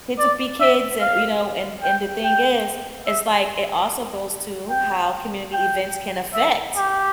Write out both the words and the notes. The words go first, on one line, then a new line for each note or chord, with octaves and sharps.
kids will be kids and you know, and and the thing is, it's like, it also goes to how community events can affect,
D5
E5
F5
G5
G5
E5
G5
G5
E5
G4